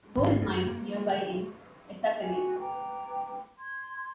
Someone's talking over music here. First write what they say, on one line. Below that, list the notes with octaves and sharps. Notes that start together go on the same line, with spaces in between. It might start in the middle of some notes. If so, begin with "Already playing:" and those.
Gold is mined nearby in Essakane.
G#1
F#2
A#3
F#4 G4 G#5
B4 G5 A#5 D6
C6 G#6